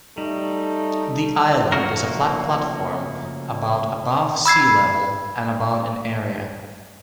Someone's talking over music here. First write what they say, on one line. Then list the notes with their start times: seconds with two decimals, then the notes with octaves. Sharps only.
The island is a flat platform about above sea level and about in area.
0.18 G3 A3 D#4
1.72 C#3 F3 A3 A#3 F#4 A#4
4.46 B5 E6 G#6 C7